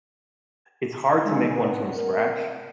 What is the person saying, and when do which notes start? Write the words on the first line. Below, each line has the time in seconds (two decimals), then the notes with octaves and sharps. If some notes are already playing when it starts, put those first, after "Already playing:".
it's hard to make one from scratch.
1.23 G#3 D#4 E6
1.54 C4 B4 D5 F#5
1.94 A#4